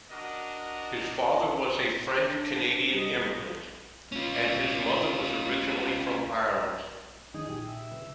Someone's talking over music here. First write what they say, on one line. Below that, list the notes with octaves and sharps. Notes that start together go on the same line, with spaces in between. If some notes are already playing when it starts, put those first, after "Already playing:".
His father was a French-Canadian immigrant, and his mother was originally from Ireland.
D4 F#4 A#4 D#5
D4
G3 D#5
C#4 F4
D#3 D#4 G#4
A#2 G4
E5
C#3 B4